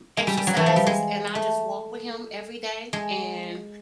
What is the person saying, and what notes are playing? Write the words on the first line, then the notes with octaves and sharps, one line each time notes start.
exercises and I just walk with him every day and
G#3
G3
G3
F#3
E3
F3
G3
G#3
A3
G#3